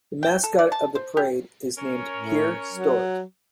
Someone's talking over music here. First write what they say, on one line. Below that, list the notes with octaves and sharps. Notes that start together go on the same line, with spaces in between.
The mascot of the parade is named "Peer Stoet".
G5
A4
D5
A5
C5
G4
C#4 A#4 C#5
A2
F#3